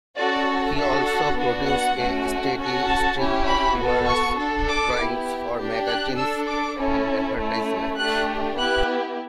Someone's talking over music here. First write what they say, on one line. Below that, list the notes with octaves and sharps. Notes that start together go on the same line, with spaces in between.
He also produced a steady stream of humorous drawings for magazines and advertisements.
C#4 F#4 A4 D5
D4 F#4 A4 E5
F#5
B3 D4 F#4
F#5
A3 C#4 F#4
C#4 F#4 A4
A5
C#4 E4 G4
B5
B3 F#4 A4
C#6
D4 A4
D6
B3 E4 G4
D4 G4
F#6
D4 A4 E6
D6
C#4 E4 A4
A3 C#4 E4
A3 D4 G4 F#6
B3 E4 G4 F#6